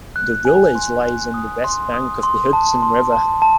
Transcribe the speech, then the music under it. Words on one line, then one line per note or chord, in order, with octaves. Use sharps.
The village lies on the west bank of the Hudson River.
F#6
G#5
C6
F#6
D#6
C6
D#6
C6
A5
C6
A5
A5